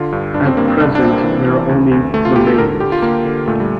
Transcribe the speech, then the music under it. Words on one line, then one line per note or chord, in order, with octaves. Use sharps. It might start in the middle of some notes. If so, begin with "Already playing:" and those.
At present, there are only remains.
Already playing: D3 F4
G2
G2 D4
C4
G2 A#3
C4
C2 D4
D4
C3 C4
A#3
E3
E3
D2
D2
D2 A3
F4
D2 G4
A4
D3 A#4
D3 G4
F4
D3 A#3
D3
A#2 A3
G3